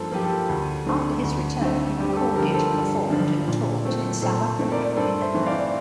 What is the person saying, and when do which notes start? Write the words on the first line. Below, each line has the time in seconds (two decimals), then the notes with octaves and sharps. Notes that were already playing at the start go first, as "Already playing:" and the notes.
After his return, he recorded, performed, and taught in South Africa.
Already playing: G2 F3 A#3 A4 C5
0.12 F3 A#3 G4
0.24 A4
0.49 D2
0.86 D3 A3 C4
1.23 D2
1.61 D3 A3 C4
1.98 G2 G4
2.08 G4
2.16 A4
2.36 D3 F3 G4 A#4
2.54 A4 C5
2.73 G2
3.10 D3 F3
3.48 A#2
3.85 A3 C4
4.22 A#2 A4 C5
4.59 A3 C4
4.71 A#4 D5
4.96 G2 A4 C5
5.21 C5 E5
5.34 E3 A3 C4
5.46 D5 F5